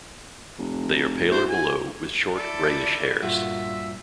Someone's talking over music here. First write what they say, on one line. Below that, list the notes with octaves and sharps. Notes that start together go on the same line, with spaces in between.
They are paler below, with short, grayish hairs.
F1
E4 F#4 C5
G#5
E4 A4 D5
G2 A#2 F4 F#4 E5